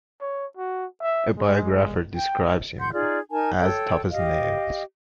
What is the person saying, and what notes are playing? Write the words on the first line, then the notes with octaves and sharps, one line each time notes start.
A biographer describes him as tough as nails.
C#5
F#4
E5
G#3
G5
F#5 C6 G6
D#4 F4 G#4 D5
D#4 A#4 G#5 A5
A4 C#5 G5
G4 D#5 F5